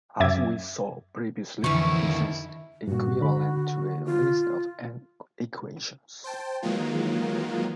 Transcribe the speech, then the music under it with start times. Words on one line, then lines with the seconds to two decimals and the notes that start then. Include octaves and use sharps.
As we saw previously, this is equivalent to a list of "n" equations.
0.20 F#2 E5 D6 G#6
1.64 F2 D3 E3 C#4 E4 C#6
2.05 D#3
2.88 G2 A#2 F#4
3.21 D3 B5
4.05 F4
6.24 C5 G5 A5
6.62 D#3 E3 F#3 G#3 A#3 F4